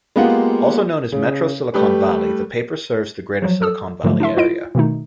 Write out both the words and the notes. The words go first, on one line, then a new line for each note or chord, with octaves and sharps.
Also known as Metro Silicon Valley, the paper serves the greater Silicon Valley area.
G#3 A#3 B3 F4 G4 F#5
C#3
G3 A3 G4 B4
F3 F#3
A4 D#6 E6
G#2 D3 F3 F#3 A3
D4 E4 E5 C6
E4 F4 D#5 D7
B2 D#3 A3 D#4